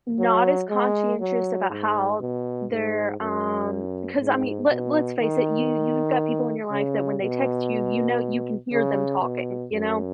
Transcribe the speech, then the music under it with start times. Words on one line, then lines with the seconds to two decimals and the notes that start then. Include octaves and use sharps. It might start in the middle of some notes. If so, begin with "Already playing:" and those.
Not as conscientious about how they're, um 'cause I mean, let let's face it, you you've got people in your life that when they text you, you know you can hear them talking, you know?
0.19 F#3
0.70 G#3
1.20 F#3
1.70 G#2
2.20 B2
2.71 G#2
3.21 F#2
4.20 G#2
4.70 B2
5.21 D#3
6.71 C#3
7.21 B2
8.72 C#3
9.22 B2
9.72 F#2